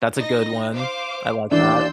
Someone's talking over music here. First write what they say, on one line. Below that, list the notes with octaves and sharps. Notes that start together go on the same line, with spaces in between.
That's a good one. I like that.
D#4 D#5 A#6
C5 F5 D6
D#2 E3 D4 D5 C6 E6 G6